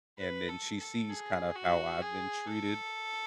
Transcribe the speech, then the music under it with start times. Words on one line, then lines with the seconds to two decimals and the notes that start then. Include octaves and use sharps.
and then, she sees kinda how I've been treated,
0.18 B4
0.48 A4
0.79 A4
1.09 G#4
1.55 F#4
2.01 G#4
2.47 A4